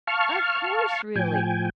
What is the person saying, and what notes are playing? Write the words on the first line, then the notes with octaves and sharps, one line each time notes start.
"Of course, really!"
F5 A5 C#6 F6
A2 F3 G5 G#5